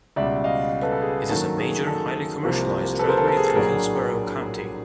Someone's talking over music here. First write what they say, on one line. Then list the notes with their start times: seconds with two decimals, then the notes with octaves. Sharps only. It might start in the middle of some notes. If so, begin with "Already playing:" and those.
It is a major, highly commercialized roadway through Hillsborough County.
0.16 C#2 B2 G3 D5 E5
0.44 D#5 F5
0.82 A4 B4
0.92 A4
1.02 G#4
1.29 F#2 D#3 F#3 A#3 A4
1.58 G#4
1.87 A4
2.43 C2 C3 F3 A#3
2.99 A4 B4
3.09 A#4 C5
3.18 A4 B4
3.28 A4
3.37 G#4
3.47 A4
3.55 A#1 A2 F#3 A3 D4 G#4 A#4